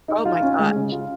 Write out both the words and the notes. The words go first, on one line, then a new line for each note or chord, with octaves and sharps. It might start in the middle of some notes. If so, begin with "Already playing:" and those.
Oh my gosh.
D#4
F4
C#4
G#3
C#3
F4